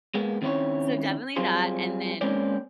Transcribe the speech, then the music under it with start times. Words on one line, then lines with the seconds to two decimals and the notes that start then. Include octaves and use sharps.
So, definitely that and then
0.14 G#3 A#3 B3
0.42 D#3 C4 C#4 E4 C#5
1.36 F#3 G3 C4 F4 G#4 C5
2.21 G#3 A#3 C4 C#4 C5 D5